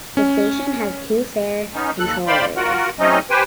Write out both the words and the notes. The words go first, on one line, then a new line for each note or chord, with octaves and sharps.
This station has two fare control areas.
C#4
B3 C#4 D#4
D#2 A4 F#6
C5 D5 F5 G5 B5 C6
F4 F#4 A#4 F#5
F#3 A3 C4 C#4 D#4 D#5
G4 B4 C5 G5 G#5